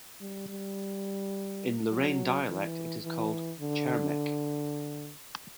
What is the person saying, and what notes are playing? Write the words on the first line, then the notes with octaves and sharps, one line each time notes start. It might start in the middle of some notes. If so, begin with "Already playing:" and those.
In Lorraine dialect it is called "Chermec".
G3
G3
F#3
E3
E3
D3